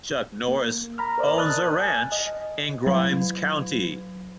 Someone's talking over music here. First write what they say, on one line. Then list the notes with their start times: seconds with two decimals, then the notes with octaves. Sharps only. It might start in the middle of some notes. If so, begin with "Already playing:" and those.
Chuck Norris owns a ranch in Grimes County.
0.48 A#3
0.98 A#5 B5 F6
1.18 A#4 C5 D5 D#5
1.37 A5 D#6 F6 F#6 A6
1.82 G#5
2.12 D#5
2.87 F#3